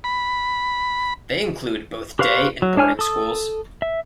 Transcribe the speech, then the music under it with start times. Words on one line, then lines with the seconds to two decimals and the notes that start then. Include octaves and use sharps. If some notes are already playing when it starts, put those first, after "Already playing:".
They include both day and boarding schools.
0.04 B5
2.19 G4 B4 C5 F5 C#6
2.62 F#3
2.76 G#3 D4 C#5 G#5 F6
2.99 A4 D#6
3.82 E5